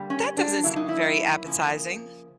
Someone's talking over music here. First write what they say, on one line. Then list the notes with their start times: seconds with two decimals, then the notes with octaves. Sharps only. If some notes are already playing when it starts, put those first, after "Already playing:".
That doesn't seem very appetizing.
Already playing: D3 G3 A#3
0.10 C#4
0.37 D4
0.64 C#3 F#3 A#3 E4
0.76 D#4
0.89 E4
1.45 C#3 F3 A#3